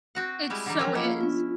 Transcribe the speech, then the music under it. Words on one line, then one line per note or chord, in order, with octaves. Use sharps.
It so is.
C4 F#4 F#5
G3 G#3 E4
D3 E3 G3 F#5 A#5 D6
F3 F#3 G#3 C#4 A#4 G5
A#3 E4 F4 D#5 F5 F#5 D6
B3 D4 F4